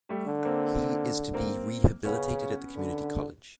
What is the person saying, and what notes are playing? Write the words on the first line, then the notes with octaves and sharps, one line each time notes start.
He is to be rehabilitated at the community college.
G3 A3
D3
A#3 C4
A#3 C4
C#3 B3 C#4
D3